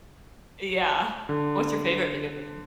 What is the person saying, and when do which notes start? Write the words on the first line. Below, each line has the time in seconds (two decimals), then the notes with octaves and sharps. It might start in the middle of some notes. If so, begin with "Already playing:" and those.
Yeah. What's your favorite video game?
1.29 D3